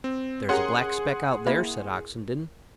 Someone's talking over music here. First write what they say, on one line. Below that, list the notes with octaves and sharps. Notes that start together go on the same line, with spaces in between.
"There's a black speck out there," said Oxenden.
C4
C#4 G4 G#4 A#4 F#5 C6
A#3 E4